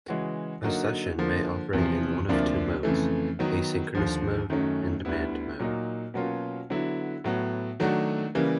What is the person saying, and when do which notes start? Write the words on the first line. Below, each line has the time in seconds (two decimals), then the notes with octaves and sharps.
A session may operate in one of two modes: "asynchronous mode" and "demand mode".
0.08 C#3 E3 G#3 C#4 F#4
0.64 D3 F#3 A#3 D#4 F#4
1.18 D3 F3 A#3
1.73 E2 C3 F3
2.29 D2 C3 F3 A#3 D4
2.83 F2 C#3 E3 A3
3.39 D#3 F#3 B3
3.95 D#2 D3 F3
4.50 F#2 D#3 F#3 A3 C#4
5.05 D2 D3 G3 B3 E4
5.59 A#2 F#3 A#3 D#4
6.14 B2 F#3 A#3 C#4 F4
6.70 D3 F#3 B3 E4
7.24 A2 F#3 B3
7.80 D#3 F#3 A3 D4 F#4
8.35 C#3 E3 G3 A#3